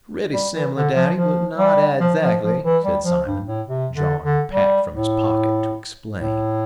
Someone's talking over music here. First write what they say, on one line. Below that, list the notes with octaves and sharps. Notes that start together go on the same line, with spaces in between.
"Pretty similyar, daddy, but not adzactly," said Simon, drawing a pack from his pocket to explain.
G3
E3
D3
F3
F3
G3
F3
F3
F3
E3
G3
F3
G2
A2
C3
D3
D3
G3
A2
A2